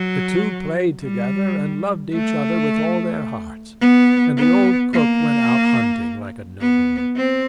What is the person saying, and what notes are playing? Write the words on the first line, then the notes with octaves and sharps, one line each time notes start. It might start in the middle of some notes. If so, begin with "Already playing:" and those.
The two played together, and loved each other with all their hearts, and the old cook went out hunting like a nobleman.
Already playing: F#3
G3
A3
B3
B3
A#3
B3
C4